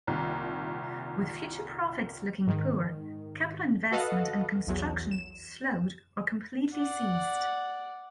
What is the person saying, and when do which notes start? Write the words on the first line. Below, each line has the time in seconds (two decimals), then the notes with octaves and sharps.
With future profits looking poor, capital investment and construction slowed or completely ceased.
0.07 C2 A#2 D#3
2.47 G#2 D#3
3.92 F#4 A4 B4 D#5 F5 F#5
4.67 B1 E2 F#3
5.11 E7
6.75 D5 F#5